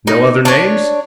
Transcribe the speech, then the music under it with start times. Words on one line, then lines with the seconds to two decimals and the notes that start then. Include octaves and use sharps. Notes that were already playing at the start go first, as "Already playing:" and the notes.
"No other names?"
0.07 D#4
0.45 D4 C#5